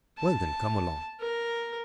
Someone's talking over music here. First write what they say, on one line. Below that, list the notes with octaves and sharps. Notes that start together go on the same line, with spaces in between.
"Well, then, come along."
A5
A#4